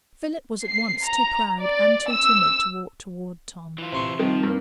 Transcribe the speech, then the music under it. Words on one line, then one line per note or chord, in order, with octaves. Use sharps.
Philip was at once too proud and too timid to walk toward Tom.
C7
A#5
D5
E6
E3 F4
C3 C6 C#6
D#3 F3 G3 C4 D#4
G2 A#3